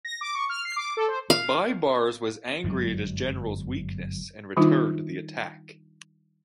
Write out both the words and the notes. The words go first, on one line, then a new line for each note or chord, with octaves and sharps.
Baibars was angry at his generals' weakness, and returned to the attack.
A#6
D6
C#6
F6
C7
D6
A4
C5
F5
G1 F#2 F#3 G#3
D#3 G3 D4 D#4 F4